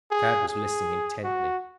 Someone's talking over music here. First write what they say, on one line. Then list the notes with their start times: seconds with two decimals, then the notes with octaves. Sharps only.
Tad was listening intently.
0.11 G#4
0.48 G#4
1.24 F#4